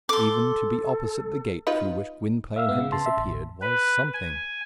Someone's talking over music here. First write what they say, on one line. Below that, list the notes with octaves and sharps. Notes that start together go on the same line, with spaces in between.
Even to be opposite the gate through which Gwynplaine had disappeared was something.
A4 C6 D6
D#4 F4 B4
E5 F5 E6
G#2 B3
C#3
A5 C6
E5
A1
B4
G#5